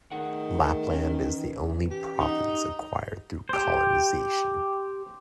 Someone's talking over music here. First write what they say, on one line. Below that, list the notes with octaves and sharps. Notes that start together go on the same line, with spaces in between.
Lapland is the only province acquired through colonization.
D#3 A3 G#4 F#5
E3 C#4
G4
D#4 G4 F#5
G4 C5